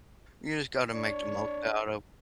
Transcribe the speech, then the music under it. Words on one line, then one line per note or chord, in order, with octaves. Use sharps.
you just gotta make the most out of
D4 C#5